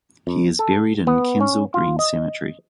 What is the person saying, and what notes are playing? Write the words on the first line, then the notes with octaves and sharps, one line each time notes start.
He is buried in Kensal Green Cemetery.
F2
A4
B3
C#4
F4
D#5